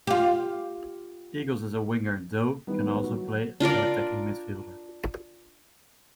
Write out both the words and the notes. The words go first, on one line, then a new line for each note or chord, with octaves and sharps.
Eagles is a winger, though can also play as an attacking midfielder.
F4 G4
D#3 E3 G3 B3
F#3
D4 F4 A#4 D5